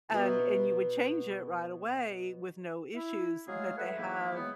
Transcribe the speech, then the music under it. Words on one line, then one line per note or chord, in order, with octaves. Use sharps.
and and you would change it right away with no issues that they have,
B2 A#4 E5
E4
F#3 G#3 A3 G#4 F5
A4 B4 E5 F#5
G#2 E3 A#3 E4 G4
F#3 G#3 A#3 B3